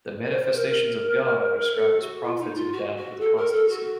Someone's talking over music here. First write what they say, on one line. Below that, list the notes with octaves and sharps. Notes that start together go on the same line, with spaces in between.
The Manifestations of God are described as prophets endowed with constancy.
A#4
C5
C5
A#4
A#4
A4
F#4
F4
D#4
F4
F#4
F#4
A4
A#4
A4
F#4